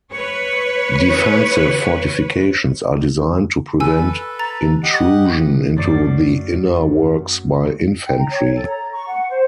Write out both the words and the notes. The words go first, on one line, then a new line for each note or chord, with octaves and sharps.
Defensive fortifications are designed to prevent intrusion into the inner works by infantry.
B4 C#5
A4 B4 G#5 E6
A#5 A6
G4 D#5 F#5
F#2 A3 D5 D6 C7
G5
A#5
C#5
A4
A#5
C#6
F#5
C5